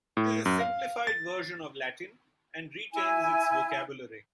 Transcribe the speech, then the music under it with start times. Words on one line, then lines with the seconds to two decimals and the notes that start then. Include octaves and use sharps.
It is a simplified version of Latin, and retains its vocabulary.
0.17 A2
0.45 F#2
0.60 F5
1.07 A6
2.93 E4 G#5